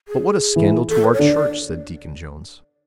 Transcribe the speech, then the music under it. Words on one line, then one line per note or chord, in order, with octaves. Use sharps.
"But what a scandal to our church!" said Deacon Jones.
G#4
E3
A4
B4
C#5
D3 D5